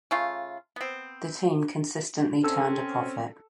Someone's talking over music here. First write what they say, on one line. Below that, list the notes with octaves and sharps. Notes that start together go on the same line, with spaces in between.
The team consistently turned a profit.
C#3 A3 F4
B3 C4
C4 C#4 A4 E6